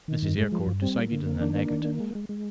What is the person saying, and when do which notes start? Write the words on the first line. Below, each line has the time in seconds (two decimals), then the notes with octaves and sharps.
Mrs. Eyrecourt decided in the negative.
0.08 D#3
0.22 G2
0.38 G#3
0.52 F3
0.67 G2
0.82 G3 C4
0.96 A#3
1.11 D3
1.26 A#3
1.41 D#3 D4
1.55 A#3
1.71 D#3
1.85 A#3
2.00 G#3
2.15 G#3
2.29 G#3